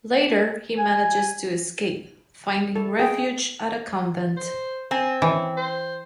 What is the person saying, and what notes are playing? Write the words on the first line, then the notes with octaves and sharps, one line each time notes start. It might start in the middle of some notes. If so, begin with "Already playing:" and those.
Later, he manages to escape, finding refuge at a convent.
G#5
A4
G#4 G5
C5
C4 G#5
E3 C#4
C5